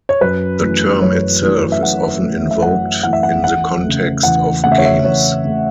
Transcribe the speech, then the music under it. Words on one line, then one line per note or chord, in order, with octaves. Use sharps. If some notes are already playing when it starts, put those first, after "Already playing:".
The term itself is often invoked in the context of games.
C#5
F#2 B4
E3 A3
F#2 C#5
E3 A3
E5
F#2 F#5
A3
E3
E5
F#2 F#5
E3 A3 F#5
E5
F#5
E2 F#5
C#3 A3
E2 F#5
C#3 A3 F#5
E5
C#5
E5
E2 C#5
C#3 A3